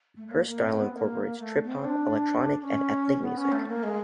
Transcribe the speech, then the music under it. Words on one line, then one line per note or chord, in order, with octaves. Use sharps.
Her style incorporates trip hop, electronic and ethnic music.
A3
A3
A#3
A#3
C4
B3
A#3
A3
B3
C4
D4
C#4
B3
C#4
A3
A#3
G#3